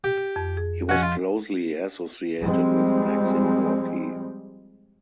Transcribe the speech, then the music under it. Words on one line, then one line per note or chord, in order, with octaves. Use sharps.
He was closely associated with Maxim Gorky.
G4
F2
G#4
F3 C#4 F#4 D#5
F4
F3 G3 G#3 C4